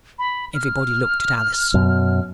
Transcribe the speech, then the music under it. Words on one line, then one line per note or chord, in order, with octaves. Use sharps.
Everybody looked at Alice.
B5
F6
F#2 B2